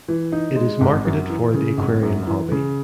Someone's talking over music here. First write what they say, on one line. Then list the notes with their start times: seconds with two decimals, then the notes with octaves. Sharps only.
It is marketed for the aquarium hobby.
0.08 E3
0.32 D#4
0.56 G#3
0.81 G#1
1.05 F#2
1.30 E3
1.54 C#3
1.78 G#1
2.03 F#2
2.27 E3
2.52 C#3